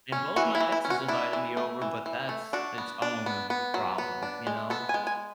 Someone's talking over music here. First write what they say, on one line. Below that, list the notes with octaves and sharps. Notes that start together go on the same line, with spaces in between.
and both my exes invited me over, but that's its own problem, you know?
C#4
E3 F#4
E4
E3
E4
C#4
F#4
D4 E4
E3
A3
E3
E3
A3
D4 F#4
B3
D4
B3
B3
F#3
B3
D4
G#3
B3 A4
G#5
G#3
G#5